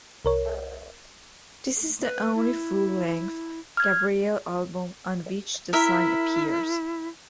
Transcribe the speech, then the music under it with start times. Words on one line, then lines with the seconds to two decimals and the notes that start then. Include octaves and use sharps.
This is the only full-length Gabriel album on which the song appears.
0.25 C2 A#4 C#5
2.03 B4
2.35 E4
3.77 F6 G#6
5.73 E4 A#4 E5